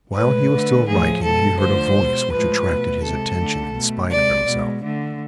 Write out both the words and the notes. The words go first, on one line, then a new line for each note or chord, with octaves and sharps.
While he was still writing he heard a voice which attracted his attention in spite of himself.
A2 G#3 B4
D3 A3
A2 F3 A3 G#4
B2 G#3 A4
D3 F3 A3 C5
B2 G#3
A2 F3 G#3 B4
B2 A3
C3 G#3 A4
D3 A3
B2 A3
C3 G#3 D5
B2 G#3
D3 A3